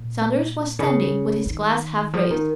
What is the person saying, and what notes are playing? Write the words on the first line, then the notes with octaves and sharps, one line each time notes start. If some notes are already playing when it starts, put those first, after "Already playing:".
Saunders was standing with his glass half raised.
Already playing: A#2
C#3
D#3
F3
D#3